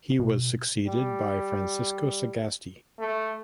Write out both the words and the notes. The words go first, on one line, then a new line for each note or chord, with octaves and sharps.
He was succeeded by Francisco Sagasti.
B2
G3
A3